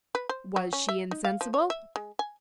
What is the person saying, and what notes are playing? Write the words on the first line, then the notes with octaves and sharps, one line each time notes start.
"Was she insensible?"
B4
C5
F#3
C#4
E5
D#4
F5
F3
C#5
E5
G#3
G#5